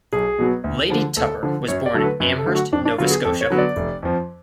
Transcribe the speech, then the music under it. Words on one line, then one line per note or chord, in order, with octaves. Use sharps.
Lady Tupper was born in Amherst, Nova Scotia.
B1 G#4
B2 F#3 B3
D2
D3 F3
D2 A4
D3 F3
F#2 C#5
D5
D3 F#3 A3 A4
B4
F#2 B4
A4
D3 F#3 A3
F#4
F2 D4
D4
D3 F#3 B3 F4
G#4
F2 A4
C#5
D3 F#3 B3
D5
F1
F2 F3